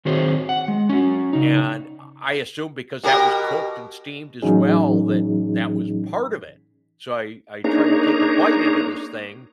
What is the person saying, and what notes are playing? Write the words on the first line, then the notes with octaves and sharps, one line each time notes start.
and I I assumed because that was cooked and steamed as well that that was part of it, so I I try to take a bite into this thing,
D#3 C4 F#4 G#4 C5 C#5
F#5
G#3
C#4 F#4
C#3 D#4
B2 G4 A#4
A2 E3 F#3 C#4 D#4 G#4
A#3 D4 D#4 G#4 C#5 A#5